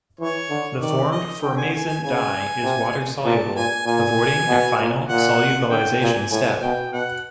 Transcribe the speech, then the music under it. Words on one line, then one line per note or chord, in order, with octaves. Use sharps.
The formed formazan dye is water-soluble, avoiding a final solubilization step.
E3 C#5
D3
D#3 D5
D#5
D3 G5
G#5
G#5
G#5
C#3 G#5
C3
A#2 A5
A#2 G#5
A#2 G#5
B2
A#2
A#2 F#5
D3 G5
A#2 G#5
A2 G#5
B2 G5
B2 F#5